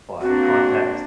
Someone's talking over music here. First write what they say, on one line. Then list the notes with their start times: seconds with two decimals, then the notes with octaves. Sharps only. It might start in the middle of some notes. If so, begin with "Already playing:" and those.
by context,
0.21 A#3 C4 D4 F#4